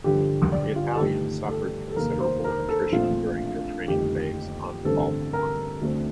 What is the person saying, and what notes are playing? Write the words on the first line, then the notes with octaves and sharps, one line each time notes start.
The Italians suffered considerable attrition during their training phase on the Baltimore.
G2 D3 F3 G4
D5
F4
A4
G1 G2 D#3 A3 G4
A4
A4
F1 D#2 D#3 A#3 A#4
C5
A#4
A4
A#1 A#2 A3 C4 F4
G1 F2 D#3 A3 G4
A1 G2 D3 A3 C4 A4
A#4
D2 D3 A3 C4